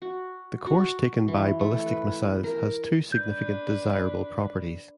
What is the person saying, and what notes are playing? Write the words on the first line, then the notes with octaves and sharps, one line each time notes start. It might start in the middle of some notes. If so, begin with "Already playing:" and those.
The course taken by ballistic missiles has two significant desirable properties.
F#4
F#4
E3
A3
B4
A#4
D4 B4 G6